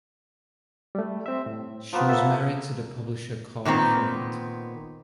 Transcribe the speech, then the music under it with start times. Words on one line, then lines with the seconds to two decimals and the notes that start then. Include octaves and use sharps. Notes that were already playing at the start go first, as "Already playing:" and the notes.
She was married to the publisher Carl Freund.
0.95 G3 A3
1.26 C4 E5
1.46 A2
1.93 F3 A#3 B3
2.09 A4 E5 A5
3.65 A#2 D#3 B3 C4